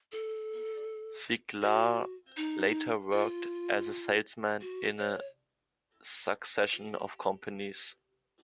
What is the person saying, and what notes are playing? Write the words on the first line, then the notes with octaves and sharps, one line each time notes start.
Ziglar later worked as a salesman in a succession of companies.
A4
F#4
D#4
F4
F#4
C#5